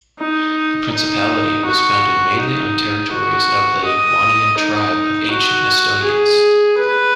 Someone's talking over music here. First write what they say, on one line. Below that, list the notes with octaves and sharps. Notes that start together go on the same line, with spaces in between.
The principality was founded mainly on territories of the Ugaunian tribe of ancient Estonians.
D#4
D#4
F#4
D#4
F#4
D#5
D#4
F#4
G#4
B4